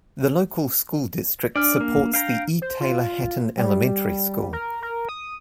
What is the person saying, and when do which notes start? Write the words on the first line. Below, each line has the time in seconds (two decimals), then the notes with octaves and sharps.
The local school district supports the E. Taylor Hatton Elementary School.
1.56 D4 D5 F6
1.81 A#3
2.14 F5 G5 A#5
2.62 C5
2.81 F4
3.57 G3
4.53 A#4
4.82 A#4
5.09 D#6